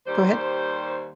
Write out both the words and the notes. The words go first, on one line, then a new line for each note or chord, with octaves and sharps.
Go ahead.
D#2 G3 C5